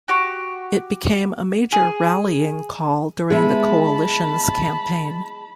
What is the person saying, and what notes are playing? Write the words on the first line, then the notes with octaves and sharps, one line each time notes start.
It became a major rallying call during the coalition's campaign.
F#4 G4 C#6
G#4
G#3 B3 E4 A5 B5